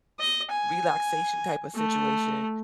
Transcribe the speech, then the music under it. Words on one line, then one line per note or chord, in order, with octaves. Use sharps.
relaxation type of situation.
D#5
G#5
A3